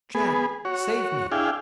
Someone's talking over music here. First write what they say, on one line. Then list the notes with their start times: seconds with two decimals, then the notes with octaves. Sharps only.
Jack! save me!'
0.15 B3 G#4
0.65 F#4 C#5
1.32 D4 E4 G#4 F5 G5